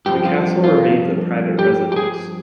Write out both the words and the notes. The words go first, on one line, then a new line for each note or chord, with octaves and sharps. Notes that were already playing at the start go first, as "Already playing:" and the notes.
The castle remains a private residence.
G2 F3 C4 G4
F4
F4
G4
G4
G#4